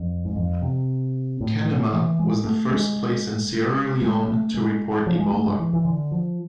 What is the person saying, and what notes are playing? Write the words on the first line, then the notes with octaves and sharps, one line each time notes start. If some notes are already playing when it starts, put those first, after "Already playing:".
Kenema was the first place in Sierra Leone to report Ebola.
Already playing: F2
G#2
F2
C3
A2
E3
G#3
A3
G#3
G#3
A3
G#3
F3
G#3
A3
G#3
E3
E3
D3
F3